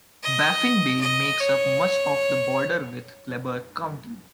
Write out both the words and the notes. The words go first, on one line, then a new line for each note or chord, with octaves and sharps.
Baffin Bay makes up much of the border with Kleberg County.
D#5
D#5
C#5